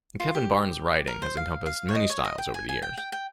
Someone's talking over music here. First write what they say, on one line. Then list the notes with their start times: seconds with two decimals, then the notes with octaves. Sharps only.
Kevin Barnes' writing has encompassed many styles over the years.
0.20 F4
0.35 G4
1.07 A#4
1.22 C5
1.37 F5
1.66 F5
1.89 C#5
1.95 D#5
2.10 C#5
2.25 D#5
2.38 G5
2.54 G#5
2.69 G#5
2.82 G5
2.97 G5
3.12 G5